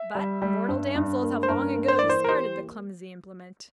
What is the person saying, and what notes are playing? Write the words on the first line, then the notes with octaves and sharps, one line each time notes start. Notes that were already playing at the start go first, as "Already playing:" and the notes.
But mortal damsels have long ago discarded the clumsy implement.
Already playing: E5
G3
G3
G2
G2
A#3
C5
G2 A#4
A#3
C5
E3 D5
C5
A#4
G4 C5
A#3